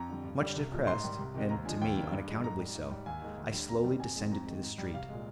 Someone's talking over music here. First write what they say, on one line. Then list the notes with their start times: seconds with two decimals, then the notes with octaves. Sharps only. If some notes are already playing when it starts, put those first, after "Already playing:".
Much depressed, and, to me, unaccountably so, I slowly descended to the street.
Already playing: F2 A#5
0.09 D3 G3
0.25 G2
0.40 D3 G3
0.56 C2
0.72 A#2 F3 G#3
0.87 G#2 C6
1.03 D#3 G3
1.19 C2
1.34 C3 D#3 G#3
1.50 D#2 A#5
1.65 D3 F3 G#3 G#5
1.81 D#2 G5
1.97 D#3 G3
2.12 G2
2.28 F3 G#3
2.44 G#2 A#5
2.59 G3
2.75 G#2
2.91 G3
3.06 D#2 G#5
3.22 D#3 G#3
3.38 D2
3.53 D3 G3
3.69 F2 A#5
3.84 D#3 G3
4.00 F2 G#5
4.16 D#3 G#3
4.31 F2 A#5
4.47 D#3 G#3
4.63 G#2
4.78 G3
4.94 C2 F5
5.09 A#2 G#3